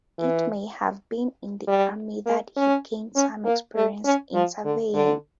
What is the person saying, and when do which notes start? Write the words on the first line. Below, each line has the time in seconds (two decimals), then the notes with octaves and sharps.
It may have been in the army that he gained some experience in surveying.
0.19 E3
1.67 G3
2.26 A#3
2.57 C#4
3.16 C#4
3.45 A#3
3.76 A3
4.05 C#4
4.34 F3
4.65 D3
4.94 D3